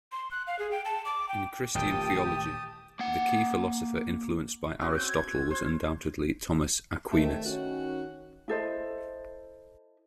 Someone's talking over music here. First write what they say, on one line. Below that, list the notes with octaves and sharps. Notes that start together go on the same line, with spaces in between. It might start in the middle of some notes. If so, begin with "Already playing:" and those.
In Christian theology, the key philosopher influenced by Aristotle was undoubtedly Thomas Aquinas.
C6
F#6
F5
G#4
G5
A5
D6
G5
D#1 A1 G4 G5 A5 D#6
A#3 F#5
C4 C#4 F#4
G6
G#6
C5
G2 C3 D#3 A3
D#3 C#4 F#4
E4 A4 C5 D#5